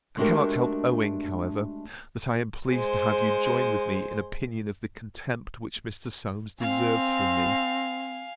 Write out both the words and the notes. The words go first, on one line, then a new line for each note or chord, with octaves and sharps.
I cannot help owning, however, that I am pleased to have you join with me in opinion of the contempt which Mr. Solmes deserves from me.
G#3 A3 D4 F#4 G4 A#4
G#3 C5
C4 F5 G#5